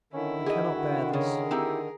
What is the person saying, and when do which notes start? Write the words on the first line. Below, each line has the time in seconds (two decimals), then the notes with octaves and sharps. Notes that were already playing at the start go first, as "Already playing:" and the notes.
I cannot bear this.
0.13 D3 D#3 C#4 E4
0.46 F#4 G#4 D#5
1.13 C#3 G#4 A#4 C#5
1.51 C4 D#4 E4 G4